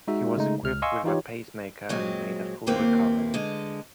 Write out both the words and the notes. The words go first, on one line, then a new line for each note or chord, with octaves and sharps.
He was equipped with a pace maker and made a full recovery.
G#3 D#4 F#4 E5
C#3 G#3 A3 D#4
C#2 F6
D#5 F5 G#5 C6 C#6 E6
E3 D#4 F4 G4 C#5
A#2 F#3 G#3 C4
D#2 A#2 A#3 C4 E4 B4
D3 G#3